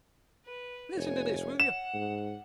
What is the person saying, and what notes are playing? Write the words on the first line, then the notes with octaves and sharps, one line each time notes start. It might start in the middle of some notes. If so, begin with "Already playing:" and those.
Listen to this, will you?
B4
F1 C#5 G#5
F#5 E7
G#2